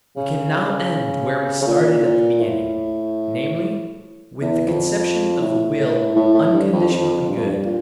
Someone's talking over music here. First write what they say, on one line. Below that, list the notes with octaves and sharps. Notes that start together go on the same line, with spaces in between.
We can now end where we started at the beginning, namely, with the conception of a will unconditionally good.
C#3
C#3
A#2
A#2
A2
E2
F2
A2
A2
A2
G2
F2
F2
G2
F2
G2
A#2